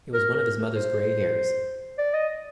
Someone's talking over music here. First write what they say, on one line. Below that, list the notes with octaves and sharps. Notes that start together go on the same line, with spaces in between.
It was one of his mother’s grey hairs.
A#4
A#4
C5
D5
D#5